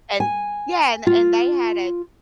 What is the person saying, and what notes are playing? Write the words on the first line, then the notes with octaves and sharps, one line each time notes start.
and yeah, and and they had a
G#5
F4